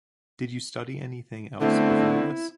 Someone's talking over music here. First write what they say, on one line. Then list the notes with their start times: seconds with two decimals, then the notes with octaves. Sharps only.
Did you study anything else before this?
1.61 D3 A3 B3 C4 E4